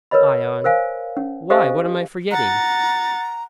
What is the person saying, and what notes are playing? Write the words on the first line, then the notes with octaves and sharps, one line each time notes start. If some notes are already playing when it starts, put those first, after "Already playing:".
ION: Why, what am I forgetting?
A#4 B4 C#5 D#5 B5
A#4 C5 F5 G#5
C#4
G4 A4 C5 D#5 F5 G#5
F#5 A#5 A6